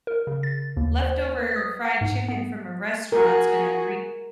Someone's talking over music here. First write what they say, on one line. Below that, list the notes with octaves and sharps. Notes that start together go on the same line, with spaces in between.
leftover fried chicken from a restaurant's gonna re
A#4
C#3
A6
D#2
C5
C5
B4
D#6
F#5
G#2
B3
F#4 G#4 A#4